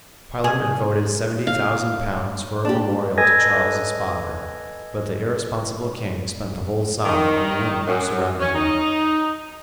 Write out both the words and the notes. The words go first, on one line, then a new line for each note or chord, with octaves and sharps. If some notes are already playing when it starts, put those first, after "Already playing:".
Parliament voted seventy thousand pounds for a memorial to Charles's father, but the irresponsible king spent the whole sum on the women who surrounded him.
G#4
F5
D4 G4
A4 B4 D#5 G#5 G#6 A#6
D#3
F#2
C#4
D#4